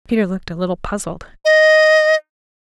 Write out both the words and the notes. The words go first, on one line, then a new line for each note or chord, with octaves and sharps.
Peter looked a little puzzled.
D#5